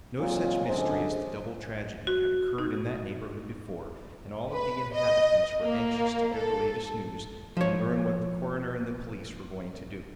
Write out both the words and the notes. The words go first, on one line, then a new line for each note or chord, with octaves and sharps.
No such mystery as the double tragedy had occurred in that neighborhood before, and all of the inhabitants were anxious to hear the latest news and learn what the coroner and the police were going to do.
A#2 F#3 G#3 C4 F4
G#1 F#2 D3 G#3 C5
F#4
D#4
B4
D#5
A#3
A4
F3 C#5